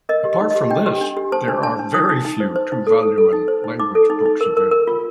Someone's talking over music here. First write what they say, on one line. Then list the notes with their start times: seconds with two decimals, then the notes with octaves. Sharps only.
Apart from this, there are very few Tuvaluan language books available.
0.09 A#4 D#5
0.25 G4
0.41 D#4
0.51 G4 D#5
0.71 D4 G5
0.86 G4
1.01 D4
1.17 G4
1.32 C5 A5
1.48 D4
1.63 D4 A5
1.79 D4
1.94 D#4 D#6
2.09 D#4
2.25 D#4
2.40 C5
2.56 C5
2.72 D#4
2.87 A4
3.03 A4
3.18 A4
3.33 D#4
3.48 C5
3.64 D#4
3.79 D#4 D6
3.95 A4
4.10 D#4
4.26 D#4
4.41 A#4
4.57 A#4
4.71 A#4
4.87 F4